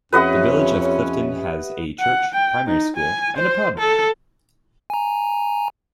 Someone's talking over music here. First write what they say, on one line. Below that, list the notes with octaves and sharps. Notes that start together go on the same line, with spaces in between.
The village of Clifton has a church, primary school, and a pub.
F2 C#4 G4 B4 D#5 E5 F#5
F#5
G5
D#4
G#5
C5
A4
G#5 A#5